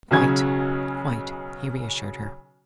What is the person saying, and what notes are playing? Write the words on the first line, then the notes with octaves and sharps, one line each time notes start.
"Quite--quite," he reassured her.
B1 C#3 F#3 C#4 G#4 G#6